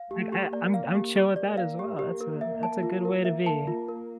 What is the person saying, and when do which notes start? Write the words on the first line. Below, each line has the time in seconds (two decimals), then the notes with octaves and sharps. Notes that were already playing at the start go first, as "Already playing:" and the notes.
Like I I'm I'm chill with that as well. That's a that's a good way to be.
Already playing: F5
0.11 A3 G4
0.32 G4
0.53 A#3 D5
0.74 F5
0.95 G4
1.15 G4
1.36 A#3 D5
1.57 F5
1.79 G4
1.99 G4
2.21 A#4
2.41 E5
2.63 A5
2.83 F4
3.05 A#4
3.25 E5
3.46 A5
3.68 F4
3.88 A#4